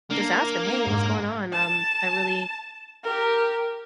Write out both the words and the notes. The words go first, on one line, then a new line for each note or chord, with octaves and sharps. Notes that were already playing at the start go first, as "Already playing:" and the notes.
just ask him, "Hey, what's going on? Um, I really
A#3 D4
G#2
A5
G4 A#4